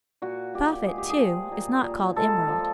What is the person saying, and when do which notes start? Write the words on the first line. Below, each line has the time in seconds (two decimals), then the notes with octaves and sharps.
The prophet, too, is not called Emerald.'
0.22 A#2 F#4
0.54 A#2 G4
0.86 G#3 G#4
0.98 G4
1.10 G#4
1.20 F3
1.52 A#2
1.84 A#2
2.16 G#3 A4
2.49 F3